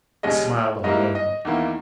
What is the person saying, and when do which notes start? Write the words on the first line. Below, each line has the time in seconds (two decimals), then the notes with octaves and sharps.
He smiled unwillingly.
0.23 D#2 C#3 G3 C#4 D#5
0.84 G#2 G3 A#3 E4 D#5
1.15 D#5
1.45 E2 D#3 A#3 E4